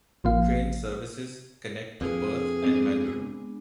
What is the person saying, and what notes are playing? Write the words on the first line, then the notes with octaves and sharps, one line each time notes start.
Train services connect to Perth and Mandurah.
A1 F3 A#3 F5
F2 D4 G#4 B4
G#3 B3 C4 D4